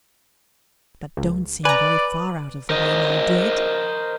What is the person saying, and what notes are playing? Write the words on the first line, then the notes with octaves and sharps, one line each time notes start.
That don't seem very far out of the way now, do it?'
C#2
B4 D5 G#5 A#5
A#4 C5 D#5